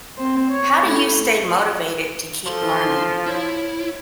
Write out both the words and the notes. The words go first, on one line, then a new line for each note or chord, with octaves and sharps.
How do you stay motivated to keep learning?
C4 C5
C#5
A3 E4
F3 A4 C6
E4 C#5